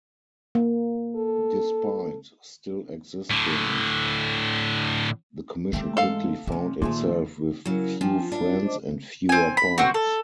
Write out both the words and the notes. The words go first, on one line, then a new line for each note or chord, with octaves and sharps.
Despite still existing, the Commission quickly found itself with few friends and fewer powers.
A#3
A4
A2 D3
E3 G#3 A3 C4 G4
G#2 A4 F5
C3 A3 C#4
A#2 D#3 F3 A3 D#4 G#4
C#3 F#3 E4 A#4
F3 D4 G5 G#5
F4
D4
C5 D#5 D6
C4 G#5
B5
C4 F#4
A4